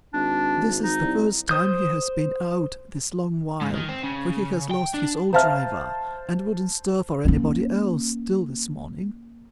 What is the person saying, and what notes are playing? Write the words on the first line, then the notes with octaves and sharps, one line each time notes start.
This is the first time he has been out, this long while, for he has lost his old driver and wouldn't stir for anybody else, till this morning.
G#1 D4
D#4
C2
C5 D#6 G6
G#2
D#3
C4
C#3
G5
D4
C5 E5 F5 A5 A#5 F6
A#3 C#4